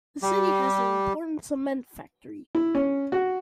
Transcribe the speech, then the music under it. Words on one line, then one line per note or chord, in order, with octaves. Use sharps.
The city has an important cement factory.
G3 G4
E4
C#4
F#4